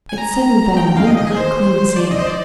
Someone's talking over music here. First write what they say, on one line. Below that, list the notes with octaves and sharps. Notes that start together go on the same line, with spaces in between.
It's seven fathom under her--clean sand.
G#5
A#5
G5
G5
F5
D#5
D#5
G#4
C5
D5
D#5
C5
D5